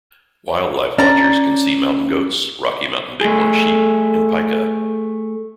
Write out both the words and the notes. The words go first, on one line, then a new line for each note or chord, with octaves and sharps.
Wildlife watchers can see mountain goats, Rocky Mountain big horn sheep, and pika.
C#4 D4 D5 A#5
A3 G#4